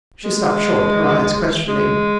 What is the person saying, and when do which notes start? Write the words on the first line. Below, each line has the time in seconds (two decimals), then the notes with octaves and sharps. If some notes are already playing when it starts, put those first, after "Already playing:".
She stopped short, her eyes questioning.
0.24 G#3
1.68 G#3